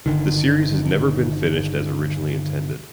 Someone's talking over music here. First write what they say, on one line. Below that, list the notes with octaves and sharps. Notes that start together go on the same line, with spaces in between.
The series has never been finished as originally intended.
G1 D3 D#3